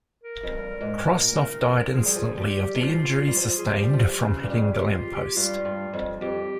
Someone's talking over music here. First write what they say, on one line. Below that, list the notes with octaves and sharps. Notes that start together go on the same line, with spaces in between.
Krosnoff died instantly of the injuries sustained from hitting the lamp post.
A#4
F2
G2
G#2
A#2 A#4
D#3
C#3
F3
A#4
F3 G#4
G3
F3
G3 G4
D#3
F3 F4
G3
F3
G#4
F3 G4
G3
F3
C#3
G2
F2 G#4
G4
F4
G4
G2 F4
G2 F4
F2
F2 G4